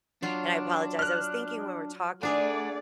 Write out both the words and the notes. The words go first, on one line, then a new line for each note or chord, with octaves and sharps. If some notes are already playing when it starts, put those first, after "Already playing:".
and I apologize, I was thinking when we're talking
F#3 D4 F4
F6 F#6
A3 D4 G#4 D5 F#5 G#5